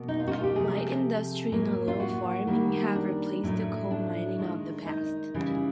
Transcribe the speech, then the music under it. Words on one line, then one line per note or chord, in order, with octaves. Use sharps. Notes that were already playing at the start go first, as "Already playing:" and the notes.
Light industry and a little farming have replaced the coal mining of the past.
Already playing: B2 A#3
D#4
F4
F#4
F4
G4
C3 F3 A3 G#4
A2 F#3 A#3
F4
F#4
D#3 G3 A#3
D4
A2 F#3 A3
D4
D#3 G#3
D#4
C#3 E3 G3